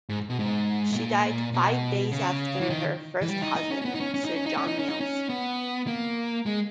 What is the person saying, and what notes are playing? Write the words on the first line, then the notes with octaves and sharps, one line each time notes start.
She died five days after her first husband, Sir John Mills.
G#2
B2
G#2
G#2
A#2
B2
C#3
E3
D#3
E3
G3
D#4
D#4
C#4
C#4
B3
D#4
C#4
C#4
D#4
C#4
D#4
C#4
D#4
C#4
D#4
C#4
B3
A#3
G#3